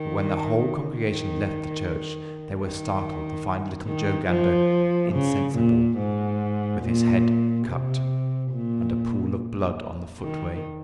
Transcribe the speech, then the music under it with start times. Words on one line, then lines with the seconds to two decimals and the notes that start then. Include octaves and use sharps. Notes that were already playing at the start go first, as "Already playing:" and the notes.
But when the whole congregation left the church they were startled to find little Joe Gander insensible, with his head cut, and a pool of blood on the footway.
Already playing: D#3
0.89 D#3
2.59 D#3
3.86 D#3
4.28 F3
5.13 C#3
5.55 A#2
5.98 G#2
6.82 A#2
7.67 C3
8.51 A#2
10.21 D#3